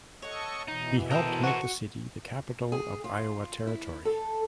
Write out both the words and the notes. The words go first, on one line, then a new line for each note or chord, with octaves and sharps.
He helped make the city the capital of Iowa Territory.
A4 C#5 D#5 F#5 C#6
B2 E3 D#4
A4 A#4 C5 D#5 G5
F#4 C#6
G#4
F4
E4
A4